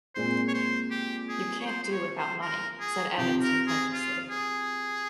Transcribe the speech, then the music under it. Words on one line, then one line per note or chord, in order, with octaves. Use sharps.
"You can't do without money," said Evan sententiously.
A#2 G#3 C4 C5
C#5
C5
G4
G#4
C#5
C5
C5
C#5
C5
A#4
G#4
C3 F3 C4 G4
A#4
G#4
F4
G#4